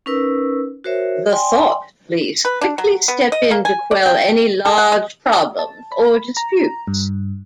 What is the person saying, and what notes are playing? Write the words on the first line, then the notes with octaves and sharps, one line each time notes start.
The thought police quickly step in to quell any large problems or disputes.
C#4 D#4 A#4 B4 E6
F#4 A#4 C5 C#5 E5
D5 G5 G#5 C6
B4
D4
F#3
B3
D#5
A#3
G#5
D5
G5
A4
F#5
G#3
A5
B5
A#5
G2